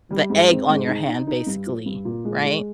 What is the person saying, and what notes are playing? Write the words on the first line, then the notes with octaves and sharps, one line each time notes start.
the egg on your hand basically, right?
G3
G#2
C4
G#2
D#4
D#4
D#4
G2
F3
G2
A#2
G#3
G#3